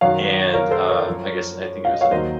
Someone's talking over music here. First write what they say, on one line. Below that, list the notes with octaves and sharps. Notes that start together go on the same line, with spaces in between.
and, uh, I guess I think it was in
F#2 D#3 F#3 C#5 F5
A#4 C#5
A4 C5
A#4 C#5
F#2 F3
F5
D#5
C#5 F5
D#2 D#3 F#3 C5 D#5